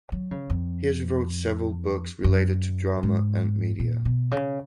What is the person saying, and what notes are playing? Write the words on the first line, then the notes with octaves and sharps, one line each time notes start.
He has wrote several books related to drama and media.
F#3
C#3
F2
F#2
G#2
A#2
B2
C#3